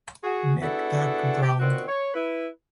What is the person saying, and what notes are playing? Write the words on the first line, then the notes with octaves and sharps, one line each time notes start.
Neck dark brown.
F#4 G#4
B3 D4 E4 F#4 G#4 A4
G4
A#2 D#3 B3 C4 F#4
C#5
E4 B4